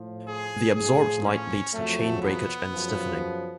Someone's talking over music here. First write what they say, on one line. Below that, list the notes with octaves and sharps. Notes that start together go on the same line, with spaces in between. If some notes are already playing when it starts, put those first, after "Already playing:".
The absorbed light leads to chain-breakage and stiffening.
Already playing: A2 F3
G#4
A2 F3 G#4
C#4
F2 C#3 F#3 A3
B3
F#2 C#3 F3